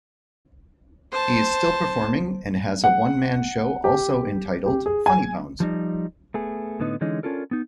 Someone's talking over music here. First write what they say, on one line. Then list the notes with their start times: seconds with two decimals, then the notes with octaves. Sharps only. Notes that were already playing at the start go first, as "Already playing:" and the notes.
He is still performing and has a one-man show also entitled Funny Bones.
1.11 C5 A5
2.84 F#5
3.84 G4
4.66 G4
4.86 G#4
5.06 G#5
5.60 F3 G3 D#4
6.34 A3 B3 G#4
6.80 A2 D3 B3 D#4
7.01 D3 E3 G#3 C#4 D#4
7.23 C#4 D4 F4 A4 A#4
7.51 B3 D#4